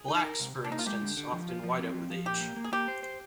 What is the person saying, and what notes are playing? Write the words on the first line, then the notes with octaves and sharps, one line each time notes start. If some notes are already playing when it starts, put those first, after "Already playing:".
Blacks, for instance, often white out with age.
Already playing: G#4
D#4
A#4
C3
C3
D4
A#3 D#4
F4
G#3 G4
D3
D3
F3
F4
F3
C4
F3
F3
A#2 G4
A#3
A#3
G#4
A#3 G4
C5
C5